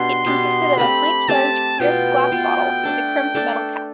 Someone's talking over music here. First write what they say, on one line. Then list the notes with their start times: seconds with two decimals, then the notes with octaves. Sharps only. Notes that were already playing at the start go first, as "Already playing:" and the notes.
It consisted of a pint-sized clear glass bottle with a crimped metal cap.
Already playing: B2 B3 D4 G4 C6
0.26 B2 B3 D4 G4
0.77 A3 C4 G4 B5
1.29 A3 C4 G4 A5
1.80 B2 B3 F4 G5
2.32 B2 B3 F4
2.83 A3 D4 A4
3.35 A3 D4 A4